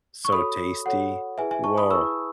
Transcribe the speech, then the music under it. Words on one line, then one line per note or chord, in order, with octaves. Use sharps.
So tasty. Woah.
C#6
F#4 A4 C#5 B5 D#6
F#4 A4 C#5 F#5
E4 G#4 B4 E5 G#5
E5 G#5
A5 C#6
B5 D#6
E4 G#4 B4 C#6 E6